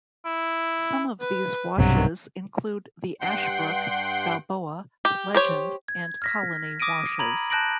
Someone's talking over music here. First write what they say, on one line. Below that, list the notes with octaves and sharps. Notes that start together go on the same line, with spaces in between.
Some of these washes include the Ashbrook, Balboa, Legend, and Colony Washes.
E4
B4
B1 G2 C3 F#3
G2 F#5 G5 C6
G4
G4 C5 C#5
G#6
F6 A#6 B6
D6 D#6 A#6 D7 D#7
A#5 B5 G#6 F#7
A5 F#6 G6 A#6 D7 F#7